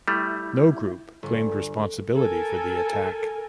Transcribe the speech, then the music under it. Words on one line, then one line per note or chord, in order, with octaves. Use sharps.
No group claimed responsibility for the attack.
G3 A3 E4
G1
A4 A#4 G#5